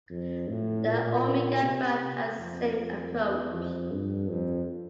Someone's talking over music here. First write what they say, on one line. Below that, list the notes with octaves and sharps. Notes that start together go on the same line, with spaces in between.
The Omega brand has the same approach.
F2
A2
A#2
C3
F2
F2
E2
F2
G2
F2